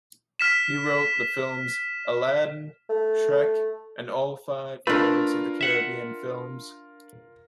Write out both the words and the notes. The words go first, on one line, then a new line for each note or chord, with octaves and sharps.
He wrote the films "Aladdin", "Shrek", and all five "Pirates of the Caribbean" films.
F6 B6 E7
A3
A3 D4 F4 A#4 B4
E5 F#5